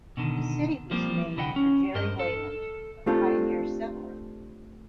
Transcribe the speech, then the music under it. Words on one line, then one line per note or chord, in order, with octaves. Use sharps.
The city was named for Jerre Wayland, a pioneer settler.
B2 D3 D#3
F3 G3 A#3 C4
C2 D3 E4 D#5 F#5 G5
C#4
G2 A#4 C5 D#5
A4
A3 C4 D4 F4 G4 A4